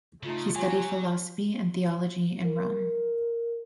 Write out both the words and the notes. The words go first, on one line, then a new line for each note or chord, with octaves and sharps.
He studied philosophy and theology in Rome.
C#3 A3 D#4 F4
F#3 G4 C#5 G#5
A#4